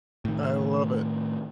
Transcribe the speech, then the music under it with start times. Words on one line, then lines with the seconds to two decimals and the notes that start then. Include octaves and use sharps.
I love it.
0.25 A2 D#3